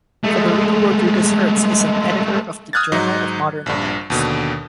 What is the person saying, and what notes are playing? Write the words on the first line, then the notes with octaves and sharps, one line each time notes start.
Federico Rodriguez Hertz is an editor of the "Journal of Modern Dynamics".
G#3 A3
D#6 F6 F#6 G#6 A6
G#2 F#3 D#4
A#1 G2
D#2 B2 D3